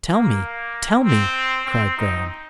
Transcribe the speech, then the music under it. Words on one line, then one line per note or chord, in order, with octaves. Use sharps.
"Tell me, tell me!" cried Graham.
A#3
C4
C4
D#4